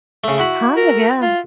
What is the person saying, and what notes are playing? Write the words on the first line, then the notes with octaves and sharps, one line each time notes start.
Kind of, yeah.
C#3 A3
E4 F#4 B5
A#4
F4